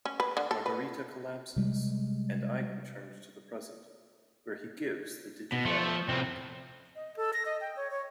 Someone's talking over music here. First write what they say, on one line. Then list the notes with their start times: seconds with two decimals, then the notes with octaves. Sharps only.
Margarete collapses, and Eike returns to the present, where he gives the Digipad back.
0.05 C#4
0.20 B4
0.37 D3
0.51 A4
0.66 B4
1.56 C3 G3 G#3
5.52 B2
5.65 F3 A3
6.09 C2 A2 C4
6.95 D#5
7.16 A4
7.33 A#6
7.45 D#5
7.61 G5
7.76 C#5
7.91 C#5